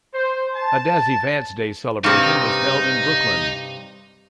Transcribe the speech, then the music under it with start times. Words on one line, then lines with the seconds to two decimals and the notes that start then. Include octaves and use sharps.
A Dazzy Vance Day celebration was held in Brooklyn.
0.13 C5
0.54 A5
2.04 G2 C3 D#4